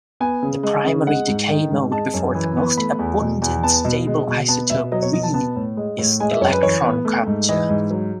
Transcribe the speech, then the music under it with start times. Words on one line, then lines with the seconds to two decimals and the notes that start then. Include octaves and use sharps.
The primary decay mode before the most abundant stable isotope V is electron capture.
0.20 B3 G#5
0.43 C#3
0.63 G#3
0.85 C#3
1.07 G#3 F#5
1.28 G#2
1.49 D#3
1.71 G#2
1.92 G#3 A5
2.14 F#2
2.35 E3
2.57 B3
2.77 A3 B5
2.99 E2
3.20 B2
3.42 E2
3.63 B3 A5
3.85 B2
4.07 G#3
4.28 B2
4.48 B3 A5
4.70 B2 E5
4.92 F#3 D#5
5.02 C#5
5.13 B2 D#5
5.23 A5
5.34 B3 A5
5.56 A2
5.77 G#3
5.98 A2
6.20 G#3 G#5
6.31 E5
6.41 F#2 C#5
6.53 B4
6.63 E3 C#5
6.84 B3
7.05 A3
7.27 G#2
7.49 E3 D#5
7.69 G#2
7.91 F#3